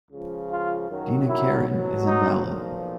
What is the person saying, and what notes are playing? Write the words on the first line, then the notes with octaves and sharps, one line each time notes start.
Dinakaran is invalid.
C#2 C#3 F3
F4
F#2 D#3 F#3
E4
C2 B2 F#3
D#4
B1 A#2 F3